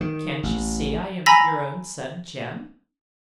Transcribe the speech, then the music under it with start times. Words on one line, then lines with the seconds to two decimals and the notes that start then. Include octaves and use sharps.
Can't you see I am your own son Jem?'
0.01 D#3
0.43 A1
1.26 G#5 A#5 B5 E6 A#6 B6